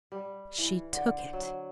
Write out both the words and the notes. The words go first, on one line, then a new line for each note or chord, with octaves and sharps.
She took it!
G3
E3
D3
C5
F#3